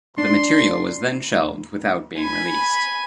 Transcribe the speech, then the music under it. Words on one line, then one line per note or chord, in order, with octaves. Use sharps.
The material was then shelved without being released.
D4 C6
G#5 B5